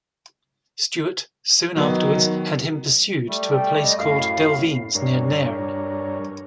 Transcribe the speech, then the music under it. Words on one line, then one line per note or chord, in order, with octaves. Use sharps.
Stewart soon afterwards had him pursued to a place called Delvines, near Nairn.
D#3 F#3 B3
G3 A3
G5
D#5
F#2 A2 F5
G2 D4 A#4 C#5